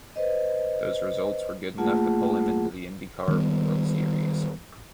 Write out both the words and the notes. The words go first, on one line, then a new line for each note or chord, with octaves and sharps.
Those results were good enough to pull him to the Indy Car World Series.
B4 C5 D#5
A3 A#3 F4 G#4 F#5 A5
D#3 G3 G#3 B3